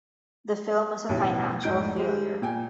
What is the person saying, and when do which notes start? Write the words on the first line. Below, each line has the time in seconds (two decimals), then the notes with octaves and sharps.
The film was a financial failure.
1.09 A1 D#2 B2 E3
1.63 F1 G#2 D#4 F#4 G6 D7
1.96 G3 G#3
2.42 A#2 G5 G#5